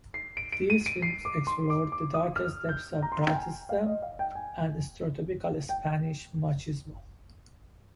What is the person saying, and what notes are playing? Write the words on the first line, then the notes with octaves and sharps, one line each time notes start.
These films explored the darkest depths of eroticism and stereotypical Spanish machismo.
C7
D7
D7
D#7
D7
C7
D6
C6
D6
D6
D#6
F6
G6
A#5
C6
A#5
G5
G#5
F5
D#5
F5
G5
G#5
G5